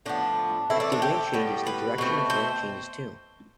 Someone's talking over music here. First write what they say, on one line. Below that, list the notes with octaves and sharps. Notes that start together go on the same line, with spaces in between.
If the wind changes, the direction of growth changes too.
A2 F3 B3 D4
E3 A3 C4 E4
D4
D4
G4
A2 G3 B3
B4
B2 A3 C4
C5